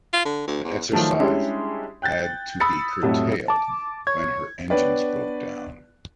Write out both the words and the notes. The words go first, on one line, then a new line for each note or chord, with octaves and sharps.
The exercise had to be curtailed when her engines broke down.
F4
D3
D2
E2
D#3 F3 F#3 A3
G3 G#3 C#4 D4 E4 G4
G5 F#6 G6 A6
B5 D#6 E6 A6 C#7
F2 A2 F#3 G3 A3 E4
A5 D6
C#5 G#6
B3 D4 B4 C#5 D5 G5